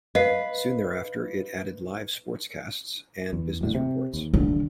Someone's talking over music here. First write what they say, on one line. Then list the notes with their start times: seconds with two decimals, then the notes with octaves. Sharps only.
Soon thereafter, it added live sportscasts and business reports.
0.15 B4 D#5 F5 C7
3.33 E2
3.61 D#1 A2 D3
3.75 C3
4.14 D#2
4.34 D#1 D3